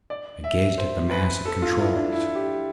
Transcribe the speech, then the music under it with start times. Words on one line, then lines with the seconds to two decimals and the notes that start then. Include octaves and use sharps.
I gazed at the mass of controls.
0.10 D5
0.44 E5
0.78 C5
1.11 B4
1.45 A4
1.62 F4
1.79 E4
1.96 D4
2.12 E4
2.35 G4